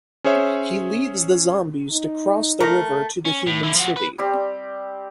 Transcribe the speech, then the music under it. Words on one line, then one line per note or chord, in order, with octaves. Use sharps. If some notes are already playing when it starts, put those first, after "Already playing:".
He leads the zombies to cross the river to the human city.
C#4 G#4 C5 C#5 E5
D#4
A3 A#4 A#5
C#4
A2
D3 E4
F3 F#4
B4
G3 C4 G4